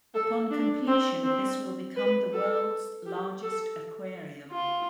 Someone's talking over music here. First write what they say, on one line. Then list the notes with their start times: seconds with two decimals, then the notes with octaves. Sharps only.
Upon completion, this will become the world's largest aquarium.
0.14 A4
0.51 D4
0.88 C4
1.23 C4
1.96 B4
2.33 A4
3.06 G4
3.42 A4
4.51 F4